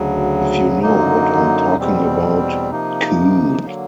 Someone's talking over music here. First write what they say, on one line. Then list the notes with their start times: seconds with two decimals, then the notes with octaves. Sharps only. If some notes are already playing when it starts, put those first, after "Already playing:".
If you know what I'm talking about, cool.
Already playing: D2 C#3 F#3
0.82 F#2 D3 F#3 A#3 D#4
1.77 E2 B2 G3 C4
2.71 C3 F3 A#3 D#4
3.66 D3 F#3 A#3